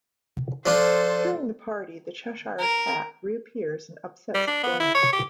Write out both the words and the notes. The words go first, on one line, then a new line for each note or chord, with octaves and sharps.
During the party, the Cheshire Cat reappears and upsets the Dormouse.
F3 D4 F4 A4 C5
A#4
G3
D4
B3
E4
C#5
G4